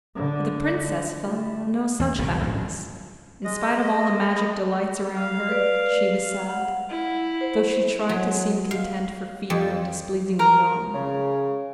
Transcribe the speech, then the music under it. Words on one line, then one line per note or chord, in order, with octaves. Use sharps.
But the princess felt no such happiness; in spite of all the magic delights around her she was sad, though she tried to seem content for fear of displeasing the gnome.
D3
A3
E2
G1 C2 A#2 D3
A1 G2
G#3 D#5
F5
B4 D5
F#5
E4
C5
F#3
F5
F2
A#4
C#3